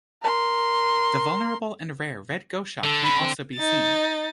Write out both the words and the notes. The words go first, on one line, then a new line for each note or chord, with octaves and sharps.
The vulnerable and rare red goshawk may also be seen.
A#4 C6
D3 A4
B5
C4
D#4 A6